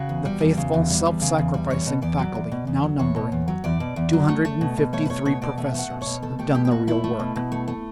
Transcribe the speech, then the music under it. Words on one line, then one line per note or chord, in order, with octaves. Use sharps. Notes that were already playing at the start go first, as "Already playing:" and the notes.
The faithful, self-sacrificing faculty, now numbering two hundred and fifty-three professors, have done the real work.
Already playing: C#3 F#4
E2
G3
E2
C#3
E2
G3
E2
C#3
E2
G3
E2 C#5
B2
E2 D5
F#3
E2
B2
E2
F#3
E2 C#5
B2
E2
F#3
E2 D5
B2
E2
F#3
A3
A3
B2
B2
A3 C#5
B4
A3 C#5
B2 C#5
B2 D5
A3 E5
A3 F#5
B2
B2 C#5
A3 A4
A3 G4
B2 G4
G4
B2 F#4
A3 E4
A3
B2
B2
A3
A3